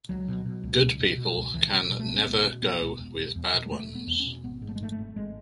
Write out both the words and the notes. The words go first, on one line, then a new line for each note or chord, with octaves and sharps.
Good people can never go with bad ones.
C#2 F#3
B2
B2
C#2
C#2
B2
B2
C#2
C#2 E3
B2 C#4
B2
A3
C#2 B3
C#4
C#2 B3
B2
B2 B3
C#2
E1
E1
E2
B2
G#3
E1 A3
E1
B3
E2
C#4
B2
G#1 B3
G#2
A3
G#3
G#2 A3
A3
G#1
G#1 G#3